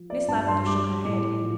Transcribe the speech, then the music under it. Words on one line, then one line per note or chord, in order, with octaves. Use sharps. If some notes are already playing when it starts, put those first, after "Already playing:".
Miss Lavendar shook her head.
Already playing: F3
D5
G2 A5
C6
G3 D6
A2
F3